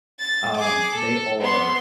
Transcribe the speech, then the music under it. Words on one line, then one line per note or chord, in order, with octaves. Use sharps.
um, they are
A6
G#4 D6
A4
B3 C6